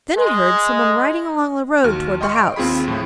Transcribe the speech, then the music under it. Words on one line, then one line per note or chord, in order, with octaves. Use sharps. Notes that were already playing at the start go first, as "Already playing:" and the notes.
Then he heard someone riding along the road towards the house.
G#3
D#2 F#4 F6
D#5 G5 C6 C#6 F6
D7
D#2 C4 F4 G#4 B5
A2 F3 E4